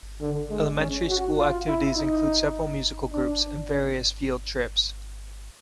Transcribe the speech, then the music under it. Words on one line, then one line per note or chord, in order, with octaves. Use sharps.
Elementary school activities include several musical groups and various field trips.
D3
G#3
C#4
F#4
F4
E4
D#4
D4